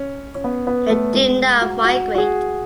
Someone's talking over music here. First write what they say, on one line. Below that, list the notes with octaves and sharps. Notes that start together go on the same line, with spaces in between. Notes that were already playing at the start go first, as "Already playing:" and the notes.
They do not migrate.
Already playing: C#4
C#4
B3
B3
A3
G#3
F#4
F#4
F#4
G#4